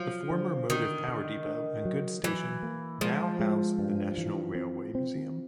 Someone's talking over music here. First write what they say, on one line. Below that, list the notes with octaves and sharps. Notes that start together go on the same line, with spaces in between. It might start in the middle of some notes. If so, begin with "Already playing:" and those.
The former motive power depot and goods station now house the National Railway Museum.
Already playing: F3 F#3
D3
D3 D#3
D3
D4
F#3
E3 F#3
A#3
F3 G#3
G#3
G2
E3
C4
C4